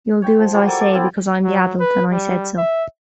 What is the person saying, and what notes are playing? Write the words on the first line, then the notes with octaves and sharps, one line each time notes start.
You'll do as I say because I'm the adult and I said so.
C#5 G5 C6
F3
F3 G3 F#4 C#5
A#3 A4
A3 D5 D6
B3 C4 E4 F4
F#3
B4
G3
E5